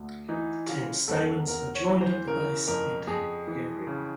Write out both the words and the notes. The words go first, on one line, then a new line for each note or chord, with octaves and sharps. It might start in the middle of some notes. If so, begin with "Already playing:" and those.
The ten stamens are joined at the base and hairy.
Already playing: D2
E3 D#4
C#3 F4
E2 A4
E2 A#4
C#5
E3
C5
C#3 A#4
F2 A#4
F2 G#4
E3
C#3